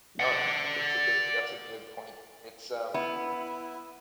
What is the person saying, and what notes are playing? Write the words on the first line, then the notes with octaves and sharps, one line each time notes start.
No. It's a good that's a good point. It's, um,
D5 F#5
B3 E4